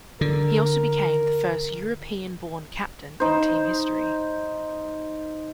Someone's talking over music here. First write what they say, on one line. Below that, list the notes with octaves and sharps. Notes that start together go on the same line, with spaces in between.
He also became the first European-born captain in team history.
D3 A#4
D#4 C5